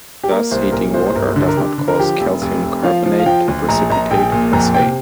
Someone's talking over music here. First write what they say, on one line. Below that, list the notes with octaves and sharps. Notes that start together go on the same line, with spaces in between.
Thus, heating water does not cause calcium carbonate to precipitate per se.
G4
A#3 A#4
C2 C5
C5
A#2 A#4
C2 C5
C5
G1 A#4
D3
A#4
D3 G4
D3
A#4
F3 G4
F1
F1
F1
F3 F5
F3
F5
F3 G5
D2
A#1 A#5
A#1 A#5
A#1 G5
A#2
F2 A#5
C3 G5